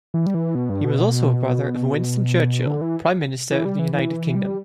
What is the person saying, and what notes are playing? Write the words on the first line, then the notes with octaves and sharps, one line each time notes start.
He was also a brother of Winston Churchill, Prime Minister of the United Kingdom.
E3
G3
E3
B2
G2
B2
B2
D3
E3
E3
G3
E3
E3
G3